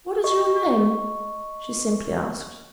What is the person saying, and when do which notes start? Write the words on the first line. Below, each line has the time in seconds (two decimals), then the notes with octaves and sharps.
"What is your name?" she simply asked.
0.24 D#5 C#6